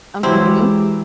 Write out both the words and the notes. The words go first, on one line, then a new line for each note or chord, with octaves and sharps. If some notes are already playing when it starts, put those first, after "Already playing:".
Uh, hmm.
E3 F#3 G#3 C4 E4 G4